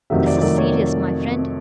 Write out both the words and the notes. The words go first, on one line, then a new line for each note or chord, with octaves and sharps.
This is serious, my friend!
F2 C3 D#3 F#3 A3 E5
D5
F2 C3 D#3 F#3 A3 D5
C#5